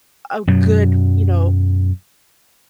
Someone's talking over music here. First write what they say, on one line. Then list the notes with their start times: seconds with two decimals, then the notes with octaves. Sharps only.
a good, you know,
0.47 F#2 B2 F#3